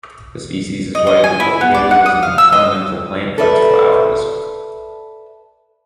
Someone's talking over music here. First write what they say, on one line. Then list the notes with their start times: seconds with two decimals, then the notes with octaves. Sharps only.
The species is widely cultivated as an ornamental plant for its flowers.
0.95 D#5
1.07 D#5
1.24 G#5
1.40 E4
1.61 B3
1.74 D5
1.91 F#5
2.06 D#6
2.23 F5
2.38 E6
2.52 D#5
3.38 A4 B4 D5 E5